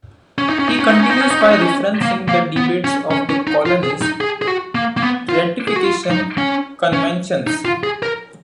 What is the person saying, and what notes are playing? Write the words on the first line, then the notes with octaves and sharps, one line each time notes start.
He continues by referencing the debates of the colonies' ratification conventions.
C#4
D#4
C#4
D#4
C#4
D#4
C#4
D#4
C#4
D#4
C#4
D#4
C#4
A#3
A#3
B3
C#4
C#4
C#4
D#4
F4
G#4
D#4
G#4
G#4
F#4
A#3
A#3
B3
F4
G#4
F#4
F4
D#4
C#4
C#4
D#4
F4
G#4
A#4